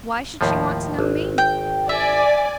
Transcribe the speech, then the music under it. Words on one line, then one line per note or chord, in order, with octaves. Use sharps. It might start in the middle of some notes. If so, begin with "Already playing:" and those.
"Why should she want to know me?"
D#2 A2 F3
G#1
G5
D5 E5 G#5